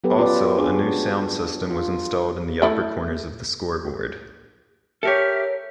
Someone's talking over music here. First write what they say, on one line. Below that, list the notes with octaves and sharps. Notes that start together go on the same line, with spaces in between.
Also, a new sound system was installed in the upper corners of the scoreboard.
F#3 B3 G4 A4 B4
C#4 F4 A#4 B4 D5
D4 F#4 G#4
F4
A3 E4
G4 A4 A#4 C#5 E5 F6